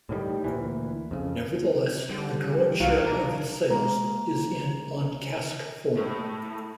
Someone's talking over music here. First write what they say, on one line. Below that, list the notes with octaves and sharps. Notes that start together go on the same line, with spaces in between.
Nevertheless, a growing share of its sales is in on-cask form.
A2 D#3 E3 G3
D2 A#2 E3
F2 C#3
D3 G3
C2 F#3 F5
B1 D4 A#4
G#3 A#3 A#5
A2